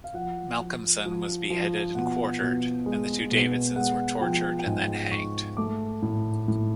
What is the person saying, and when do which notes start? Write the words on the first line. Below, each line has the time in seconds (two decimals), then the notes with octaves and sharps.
Malcolmson was beheaded and quartered and the two Davidsons were tortured and then hanged.
0.04 F5
0.14 F3 F#5
0.60 F3
1.06 F3
1.50 F3
1.95 B2 F#5
2.41 B2
2.86 G#3
3.32 B2
3.76 G#3 F#5
4.21 F3 G5
4.59 G5
4.66 G#2 G#5
5.12 G#2 C#6
5.57 A3 D6
6.02 A2
6.48 A2